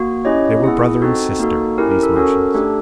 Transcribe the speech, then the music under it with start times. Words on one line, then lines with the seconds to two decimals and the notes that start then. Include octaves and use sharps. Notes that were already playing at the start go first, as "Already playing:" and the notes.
They were brother and sister, these Martians.
Already playing: A#3 F#4
0.25 C#4 E4 G4 C#5 D#5
0.64 B3 E4 G#4
1.02 C4 D#4 F#4 A4
1.39 A#3 D#4 F#4 A4
1.78 C#4 E4 G4 A#4
1.91 A#4
2.03 A4
2.16 C#4 F#4 A4 A#4
2.54 A3 D4 G4 A4